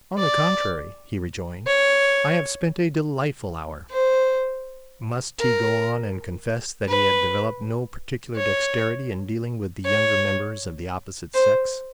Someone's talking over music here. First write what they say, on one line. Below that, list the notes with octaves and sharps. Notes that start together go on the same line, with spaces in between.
"On the contrary," he rejoined, "I have spent a delightful hour." Must he go on and confess that he had developed no particular dexterity in dealing with the younger members of the opposite sex?
D5
C#5
C5
A#4
B4
C#5
C#5
C5